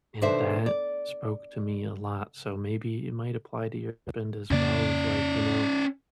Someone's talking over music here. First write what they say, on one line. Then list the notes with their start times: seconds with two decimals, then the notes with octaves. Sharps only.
and that spoke to me a lot, so maybe it might apply to your husband as well of, like, you know,
0.22 B2 D#3 D4 A4 C5 E5
0.66 D5
4.51 F2 C#3 A#3 C#4 D5